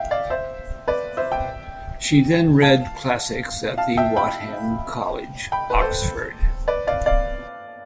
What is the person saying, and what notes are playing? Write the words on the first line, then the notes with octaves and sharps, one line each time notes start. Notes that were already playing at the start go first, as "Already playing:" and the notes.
She then read Classics at Wadham College, Oxford.
Already playing: E5 F5 G5
D5 F5
C5 E5
B4 D5
C5 E5
E5 G5
F5 A5
F5 A5
E5 G5
G5 B5
G5 B5
B4
A4 C5
B4 D5
D5 F5
D5 F5